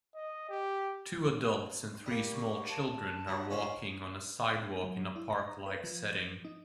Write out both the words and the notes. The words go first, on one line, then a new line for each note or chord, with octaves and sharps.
Two adults and three small children are walking on a sidewalk in a parklike setting.
D#5
G4
G3 A#3
C#6
A5
F#3 G3
C#4 F4 C6
F#3
E4
A#5
B4
F3
D#4